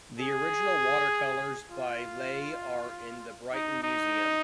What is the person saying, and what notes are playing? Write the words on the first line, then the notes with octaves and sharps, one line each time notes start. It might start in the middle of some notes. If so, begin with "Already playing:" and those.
The original watercolours by Lay are in the Brighton Museum.
G#4
F4
D#4
D#4